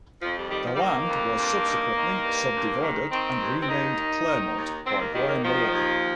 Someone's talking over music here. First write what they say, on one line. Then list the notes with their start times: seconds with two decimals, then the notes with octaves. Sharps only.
The land was subsequently subdivided, and renamed Claremont by Bryan Molloy.
0.21 F2 F3
0.36 G3
0.50 D#3 G3
0.65 F3
0.74 G3
0.79 D#3 A#3
1.08 F2
1.37 G2
1.66 D#3
1.95 D#3
2.24 G2
2.54 G2
2.82 D#3
3.11 D#3 C4
3.40 G2
3.60 C4
3.68 D#2 D#4
3.98 D#3
4.27 D#3
4.56 D#2
4.85 D#2 C4
4.99 A#3
5.13 D#3 G3
5.28 A#3
5.43 D#3 F3
5.71 D#2